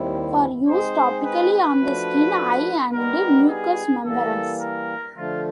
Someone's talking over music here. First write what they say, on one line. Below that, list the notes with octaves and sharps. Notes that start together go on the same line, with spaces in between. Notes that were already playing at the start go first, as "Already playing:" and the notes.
For use topically on the skin, eye, and mucous membranes.
Already playing: D#2 D#3 G3 C4 E4
G#3 C4 D#4 G#4 C5
B4
B4
F3 A3 D4 F#4
G3 B3 D#4 G4 A#4 B4
G#4
E3 G3 A#3 A4
A#4
D3 F3 A3 F4